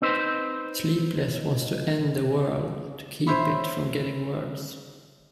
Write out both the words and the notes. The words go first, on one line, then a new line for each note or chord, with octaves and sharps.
Sleepless wants to end the world to keep it from getting worse.
C4 D#4 B4 C5
C5 C#5 E5 B5